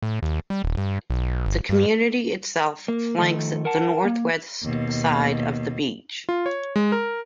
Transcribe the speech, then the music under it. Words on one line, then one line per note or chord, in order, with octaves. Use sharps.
The community itself flanks the northwest side of the beach.
A2
D#2
G3
D#1
G2
B1
G1
G2
A#3
D#3 F3 A3
A#4 F#5 A5
A#3
D#2 B2
F4
C#5
G#3
A#4